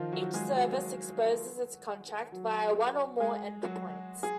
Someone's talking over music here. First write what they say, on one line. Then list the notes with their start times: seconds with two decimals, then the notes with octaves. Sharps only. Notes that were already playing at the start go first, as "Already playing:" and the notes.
Each service exposes its contract via one or more endpoints.
Already playing: D#3 F3 D#4 F4
0.12 F#3 F#4
0.34 G#3 G#4
0.56 F#3 F#4
2.32 F#3 F#4
3.20 G#3 G#4
3.64 F#3 F#4
4.23 G#4